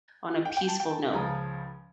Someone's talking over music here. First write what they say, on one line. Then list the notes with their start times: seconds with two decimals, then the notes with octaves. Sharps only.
on a peaceful note.
0.45 G5
0.57 G5
0.68 A5
0.80 G5
0.90 A5
1.12 C#2 C#3 F3 A#5